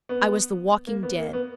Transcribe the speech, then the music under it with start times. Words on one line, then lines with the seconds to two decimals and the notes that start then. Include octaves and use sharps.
I was the walking dead.
0.09 B3
0.87 A#3
1.03 B3
1.18 A#3
1.33 B3